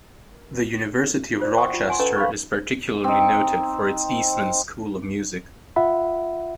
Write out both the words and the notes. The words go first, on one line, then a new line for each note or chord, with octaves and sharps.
The University of Rochester is particularly noted for its Eastman School of Music.
F4 C5 D5
E5 F#5 G5 C6 C#6 D#6
F4
F#5 G#5 C6
C#4 A4 B4 D#5 G#5 A#5
F5 B5 C#6
C4 D#4
F4 E5 F#5 B5